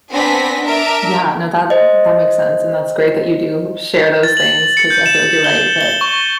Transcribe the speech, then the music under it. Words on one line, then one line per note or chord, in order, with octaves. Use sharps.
Yeah, no, that that makes sense, and that's great that you do share those things, 'cause I feel like you're right that
B3 C4 D4 G#5 A#6 B6
D4 A#4 E5 D6
C5 D#5
A6
F#7
C#7
G6
E7
G7
G7
C#6